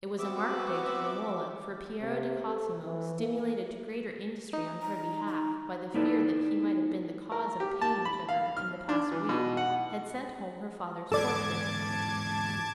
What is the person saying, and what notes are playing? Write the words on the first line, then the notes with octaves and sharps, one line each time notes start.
It was a marked day to Romola, for Piero di Cosimo, stimulated to greater industry on her behalf by the fear that he might have been the cause of pain to her in the past week, had sent home her father's portrait.
B3 C4 F#4 E5 D6
C3
A4
E3
A#3
D#4
A#5
A#5
A#3 D#4 E4 A4 B4 D5
A#4
G4
A5
B5
F5
F6
D4
E3
B2
F#5
E2 G#2 A4 D5 A5 D6 G#6